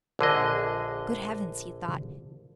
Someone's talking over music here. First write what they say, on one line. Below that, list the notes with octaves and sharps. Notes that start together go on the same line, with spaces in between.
"Good heavens!" he thought.
A#1 D3 G#4 D#5